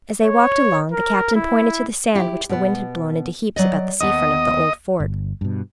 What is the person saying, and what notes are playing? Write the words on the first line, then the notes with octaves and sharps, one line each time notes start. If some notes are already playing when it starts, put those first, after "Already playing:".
As they walked along the Captain pointed to the sand which the wind had blown into heaps about the sea-front of the old fort.
C#5
A#4
E4
E4 G4
B2 B3
F#3 D5 D#5
D#2 B3 D#5
G1
G2 B2